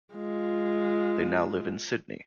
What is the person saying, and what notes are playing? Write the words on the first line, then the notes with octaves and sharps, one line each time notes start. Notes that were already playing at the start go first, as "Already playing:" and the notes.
They now live in Sydney.
G#3 F4